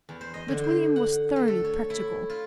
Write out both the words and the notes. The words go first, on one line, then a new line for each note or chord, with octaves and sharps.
But William was thoroughly practical.
E2
C5
D#5
D3
C5
F#5
A3
A4
C#5
E4
F4